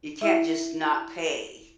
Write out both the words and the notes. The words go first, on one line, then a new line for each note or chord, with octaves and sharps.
You can't just not pay,
E4 E5